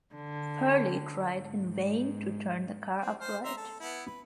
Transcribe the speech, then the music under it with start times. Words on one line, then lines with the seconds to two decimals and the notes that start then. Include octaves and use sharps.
Purley tried in vain to turn the car upright.
0.15 D3
1.35 G#2
3.01 C4
3.20 C5 F6
3.44 E5 A#5 C6
3.57 A4
3.80 B3 E4
4.07 B4